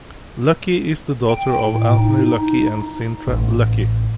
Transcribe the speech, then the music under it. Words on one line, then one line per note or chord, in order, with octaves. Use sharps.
Lucky is the daughter of Anthony Lucky and Cintra Lucky.
G5
A2
D#4
D#4
A1